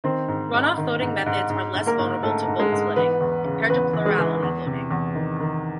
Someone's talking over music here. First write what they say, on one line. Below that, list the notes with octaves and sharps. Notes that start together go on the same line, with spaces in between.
Runoff voting methods are less vulnerable to vote splitting compared to plurality voting.
D#3 C4 C5
G#2
G#2
D#3
G#2
G#2
G#2
G#2
A#3 A#4
G#2
G#2 A3 A4
G#2
G#3 G#4
G#2
E3 B3 B4
E2
C#3
E2 B3 B4
E3
G#3 G#4
E3
E2
C3
E2
D#3
D#3